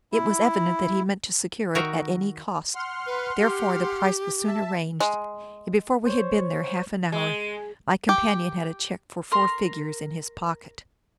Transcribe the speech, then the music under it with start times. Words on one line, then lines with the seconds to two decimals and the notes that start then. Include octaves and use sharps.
It was evident that he meant to secure it at any cost, therefore the price was soon arranged; and before we had been there half an hour, my companion had a cheque for four figures in his pocket.
0.12 E4
1.75 D#3 F#4 A#4 E5 A#5
2.75 F#5 C6 F6
3.06 B4
3.39 G4
4.47 E5 A5
5.00 G#3
6.05 C5 C#5
7.12 G#3
8.09 G4
9.32 A#4 C6